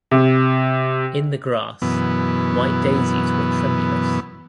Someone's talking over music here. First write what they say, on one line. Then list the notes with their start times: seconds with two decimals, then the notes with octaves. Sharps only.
In the grass, white daisies were tremulous.
0.11 C3
1.82 F#2 B2 E3 B3